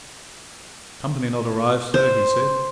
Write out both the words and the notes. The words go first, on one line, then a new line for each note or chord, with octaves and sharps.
"Company not arrived, sir," he said.
C5